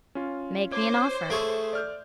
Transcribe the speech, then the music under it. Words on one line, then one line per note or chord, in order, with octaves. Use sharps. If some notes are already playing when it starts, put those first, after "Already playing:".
"Make me an offer."
C#4 F4
C5 C#5 D6
A3 G#4 C#6 D7
D5 F6 G6